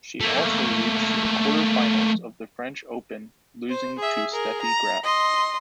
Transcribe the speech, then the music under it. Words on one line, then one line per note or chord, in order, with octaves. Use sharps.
She also reached the quarterfinals of the French Open, losing to Steffi Graf.
A3 A#3
C5
G#4 E5
G#4 A#4
A#5
D#5 C6